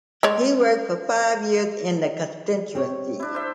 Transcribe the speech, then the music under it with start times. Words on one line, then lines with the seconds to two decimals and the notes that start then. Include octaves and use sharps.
He worked for five years in the constituency.
0.23 G#3 C#5 D5
2.75 C4 G4 C#5
3.20 D4 E4
3.35 C5 E5